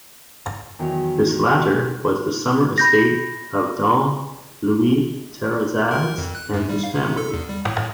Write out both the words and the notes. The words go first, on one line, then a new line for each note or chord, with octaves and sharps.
This latter was the summer estate of Don Luis Terrazas and his family.
E2 D#3 F#3
B5 G6 A#6
A#4
F2
F#6
F#2
G3
F5
C3
A4
E2
G3
A2